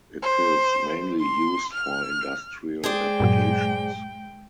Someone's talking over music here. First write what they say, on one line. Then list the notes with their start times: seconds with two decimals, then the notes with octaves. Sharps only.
It is mainly used for industrial applications.
0.22 C5
1.20 C6
1.73 F6
2.84 G#3 G#4 C5 D5 G5
3.20 G2 A#2 F#3